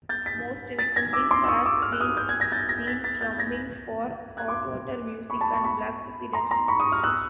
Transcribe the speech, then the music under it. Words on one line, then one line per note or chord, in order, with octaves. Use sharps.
Most recently, he has been seen drumming for Hot Water Music and Black President.
G6 A6
A6 B6
A6 B6
G#6 A#6
D6 E6
C6 D6
E6
C#6 D#6
D6 E6
F6
F#6
D#6 F6
F6 G6
F#6 G#6
G#6 A#6
G6 A6
G#6 A#6
A6 B6
A6 B6
G6 A6
G#6 A#6
F#6 G#6
C6 D6
B5 C#6
A5 B5
B5 C#6
B5 C#6
A#5 C6
A#5 C6
B5 C#6
C#6 D#6
D#6 F6
E6 F#6